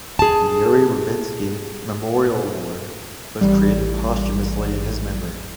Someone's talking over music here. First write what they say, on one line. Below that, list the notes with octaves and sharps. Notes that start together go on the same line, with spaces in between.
The Yuri Rubinsky Memorial Award was created posthumously in his memory.
G#4 A5
A1 G3